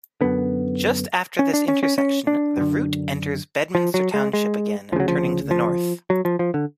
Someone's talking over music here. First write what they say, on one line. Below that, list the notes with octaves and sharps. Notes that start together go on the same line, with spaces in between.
Just after this intersection, the route enters Bedminster Township again, turning to the north.
F#2 D3 B3
C#4
D4
C#4
C#4
C#4
D4
F#2 D3
F3
F#3
G#3
G#3
D2 C#3 F3 F#3
F3
F3
F#3
F3
F3
D3